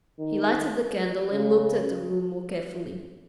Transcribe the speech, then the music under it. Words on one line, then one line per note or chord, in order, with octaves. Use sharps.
He lighted the candle and looked at the room more carefully.
D#3
C#3